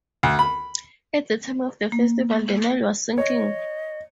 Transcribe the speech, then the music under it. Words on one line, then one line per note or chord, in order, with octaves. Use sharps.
At the time of the festival, the Nile was sinking.
D2
B5
A#3
C#5 D#5